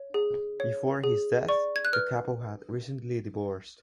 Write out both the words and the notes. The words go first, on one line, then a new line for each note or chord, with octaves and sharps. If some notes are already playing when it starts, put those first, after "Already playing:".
Before his death, the couple had recently divorced.
Already playing: C#5
G#4
C#5
G#4
D5 C#6
G#6
F#6
B4 F6